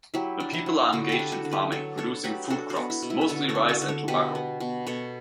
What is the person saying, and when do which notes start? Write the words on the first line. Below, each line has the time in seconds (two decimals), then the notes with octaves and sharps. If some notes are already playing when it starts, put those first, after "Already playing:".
The people are engaged in farming, producing food crops, mostly rice and tobacco.
0.14 F#3 E4 G4
0.40 D4
0.53 E4
0.66 F#3
0.93 D3 F#4
1.09 E4 G4 A4
1.19 D4
1.32 F#4 A4
1.45 D3
1.51 G4 B4
1.72 F#3 A4 C#5
1.98 D4 A4 C#5
2.24 F#3 G4 B4
2.50 D4 F#4 A4
2.70 F#4
2.76 B3
2.90 E4
3.02 B2
3.10 E4
3.21 B4
3.29 D3 A4 C#5
3.49 A4 C#5
3.55 C#4
3.69 F#4 A4
3.82 D3
3.88 A4 C#5
4.08 B2 G4 B4
4.35 B3
4.60 B2
4.87 B2 A4 C#5